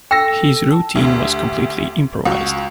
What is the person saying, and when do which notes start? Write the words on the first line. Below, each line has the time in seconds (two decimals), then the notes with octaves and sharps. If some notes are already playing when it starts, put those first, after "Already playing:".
His routine was completely improvised.
0.11 A4 G5 E6 A#6
0.71 A5
0.96 D2 G4
2.26 C#2 F#4